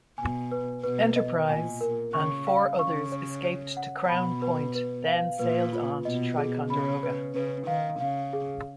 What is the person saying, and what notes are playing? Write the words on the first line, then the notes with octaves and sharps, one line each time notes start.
"Enterprise" and four others escaped to Crown Point, then sailed on to Ticonderoga.
B2 G#5
B4
B2 B4
D#5
A#2 G#5
A#4
C#3 C#6
F5
C#3 C#6
C#5
C#5
F#5
B2 B5
B4
B4
F5
A#2 B4
F4
B2 D#5
G#4
C#3 B5
B4
C#3 B4
D#3 F5
C#3 F5
G#4